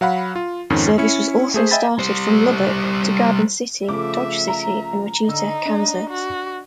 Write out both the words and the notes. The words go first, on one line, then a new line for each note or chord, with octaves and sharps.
Service was also started from Lubbock, to Garden City, Dodge City, and Wichita, Kansas.
F#3 F5 F#5 B5
F4
F2 G#2 D#3 C#4
C#4 E4 C#7
A3 G#4 C5
D#5 E5 G5 G#5 B5 A6
G3 C5
C#3 F3 A3 E5 D6
A#5
D3 D#4 E6
D4 D#5
F#4